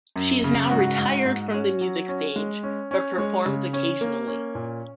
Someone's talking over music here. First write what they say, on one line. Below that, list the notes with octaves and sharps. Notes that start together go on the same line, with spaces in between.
She is now retired from the music stage but performs occasionally.
F#2
C#3
G#2 F#4
G#2
G#2
C#4
F#3
C#4
G#3
C#4
C#4
G#3 C#5
C#3
C#4
A#3
C#4
A#2